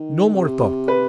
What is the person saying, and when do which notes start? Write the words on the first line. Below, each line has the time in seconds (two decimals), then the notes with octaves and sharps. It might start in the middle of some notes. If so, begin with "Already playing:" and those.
No more talk!
Already playing: D#3
0.34 C3
0.88 B4